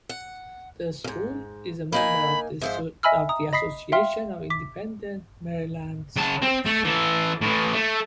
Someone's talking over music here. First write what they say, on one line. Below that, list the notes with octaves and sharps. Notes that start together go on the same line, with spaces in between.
The school is a member of the Association of Independent Maryland Schools.
F#5
F2 G#2
A#3 D#4 G#5 B5
G#2 F3 C5 E5
D#5 E5 G#5 B5 E6 F6
A#5 D#6
D#5 B5 D#6 B6 C7
E5 F5 G5 C6 F6
D6 B6
C#3 A5
C4
A3
E3 A4
A2 E3
A3